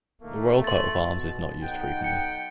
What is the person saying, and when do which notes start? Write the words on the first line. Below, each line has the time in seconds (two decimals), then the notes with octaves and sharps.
The royal coat of arms is not used frequently.
0.21 A#2 D#3 A3 A#3
0.64 B1 C6 A6
1.15 B2
1.62 B1 D#4 F#5 G5
2.04 G5 C#7